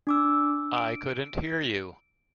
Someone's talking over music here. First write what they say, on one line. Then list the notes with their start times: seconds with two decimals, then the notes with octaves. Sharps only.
I couldn't hear you.
0.07 D4 D6 E6
0.77 D7